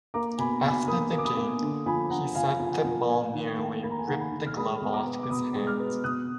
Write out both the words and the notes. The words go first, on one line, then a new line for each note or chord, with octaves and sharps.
After the game, he said the ball nearly ripped the glove off his hand.
A#3 A#5 D6
B2 G#5 B5
B2 G#5 B5
A#3 B5 D#6
A#3
D6
B5 D#6
A#3
D3
F3 G#5 B5
D3 F#5 A#5
F3 F5 G#5
F3
F#5
F3
A#3 F5 G#5
D#3
A#3
A#3 B5
A#5
G#5
D#3 F#5 A#5
G#5 B5
D#3
F6
G#3 B5 D#6
B2
A#5 D6
B3
D6
B2 B5 D#6
G#3
D6 F6
B3
B2 D#6 F#6